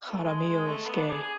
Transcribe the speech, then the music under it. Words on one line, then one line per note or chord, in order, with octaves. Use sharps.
Jaramillo is gay.
B3
A3
G#3
G#3
G#3
A3
B3
D4
G#4
G#4